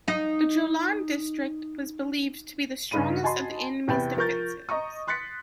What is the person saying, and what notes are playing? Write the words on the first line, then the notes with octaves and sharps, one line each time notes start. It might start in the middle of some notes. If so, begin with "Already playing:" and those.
The Jolan District was believed to be the strongest of the enemy's defenses.
D#4 D#5
G2 C#3 D#4 B5 D#7
F#4 D#5 G#5 A5 B5 C6
E2 C3 B4 G5 B5 A6
F3 A#4 C#6 G6 A6
D#5 A#5 C#6 D#6
C6 F#6 A6 B6 C#7